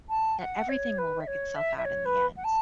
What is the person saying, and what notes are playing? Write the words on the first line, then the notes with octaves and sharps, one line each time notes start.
that everything will work itself out in the end
A5
F#5
C#5
B4
E5
C#5
E5
E5
C#5
B4
F#5
A5